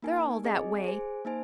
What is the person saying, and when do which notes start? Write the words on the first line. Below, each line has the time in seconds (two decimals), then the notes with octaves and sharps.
They're all that way.
0.02 A#3 D#4 A#4 G#5
0.44 C4 G#4 D#5 G#5
0.84 G#4 C5 G#5
1.25 A#3 D#4 C5 G#5